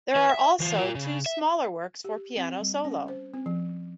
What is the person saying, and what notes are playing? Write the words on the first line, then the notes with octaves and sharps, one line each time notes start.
There are also two smaller works for piano solo.
E4 B4
E5
E3 F4
F4 A#4
C#3
E5
G4
C4
G3
C#4
C5
C4
F3